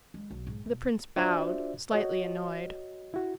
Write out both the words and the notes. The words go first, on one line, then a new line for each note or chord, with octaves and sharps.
The prince bowed, slightly annoyed.
G#3
B1
G#2
B2
D4 F4 F#4 C5 D5 E5
F#4 C#5 D#5
E4 F#4